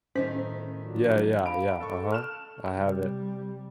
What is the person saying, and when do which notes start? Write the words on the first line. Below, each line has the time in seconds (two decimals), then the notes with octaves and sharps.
Yeah, yeah, yeah, uh-huh. I have it
0.15 A2 D#3 C#4 D#4 C5 B6
0.82 F3 F#3 D4
1.46 F5 A5 B5 D7
1.81 A4 C#6
2.12 A5 F6 F#6 E7
2.76 C3 G3